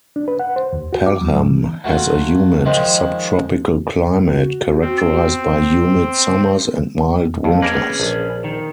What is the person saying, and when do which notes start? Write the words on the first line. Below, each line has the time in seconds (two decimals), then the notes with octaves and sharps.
Pelham has a humid subtropical climate, characterized by humid summers and mild winters.
0.16 D4
0.28 B4
0.39 F#5
0.56 C5
0.73 D#2
0.93 F#4
1.06 D6
1.21 F#3
1.36 G#2
1.49 E3
1.84 F#3 A3 F4
2.66 D#3 F3 G#3
4.27 F#4
4.81 C4
5.28 B3
7.44 F2
7.62 A#3 C#4 G#4 A#4 B4
8.00 A#1
8.44 D#3